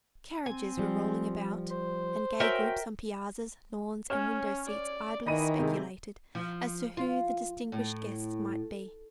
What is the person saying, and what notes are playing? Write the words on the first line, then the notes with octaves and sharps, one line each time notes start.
Carriages were rolling about, and gay groups on piazzas, lawns, and window-seats idly speculated as to who the distinguished guests might be.
C4 G#5
F3 G3
C5
F#4 A#4 C#5 E5 G5 G#5
C#4 C#5 F6 E7
D5
D#3 E3 D#5 B5 D#7
C3 G#3
F3
F4
A2